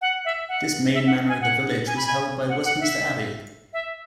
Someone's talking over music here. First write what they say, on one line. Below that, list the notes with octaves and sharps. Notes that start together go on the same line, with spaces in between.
This main manor of the village was held by Westminster Abbey.
F#5
E5
F#5
E5
F#5
G#5
F#5
G#5
B5
G#5
F#5
F#5
E5
E5